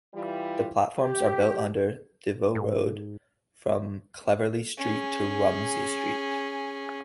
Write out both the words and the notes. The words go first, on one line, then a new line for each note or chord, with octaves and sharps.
The platforms are built under Des Voeux Road from Cleverly Street to Rumsey Street.
E3 G3 F4
G4
G#2
C#4 G#4